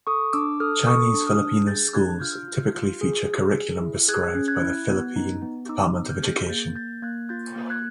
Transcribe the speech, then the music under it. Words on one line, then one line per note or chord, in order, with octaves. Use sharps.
Chinese Filipino schools typically feature curriculum prescribed by the Philippine Department of Education.
A4 C#6 D#6
D4 D6 E6
A4 D#6 F6
A4 C#6 D#6
D4
D#6 F6
D4
G#4 G6 A6
D4 F#6 G#6
F4 F6 G6
F4
F4
G#4
G#4
G#4
E4
G#4 F#6 G#6
C#4
F#6 G#6
E4
B3
D#4
B3
D#4 D6 E6
B3
F6 G6
G#4
A#3 G6 A6
A#3 G6 A6
A#3 F#6 G#6
F4 G6 A6
A#3
F#6 G#6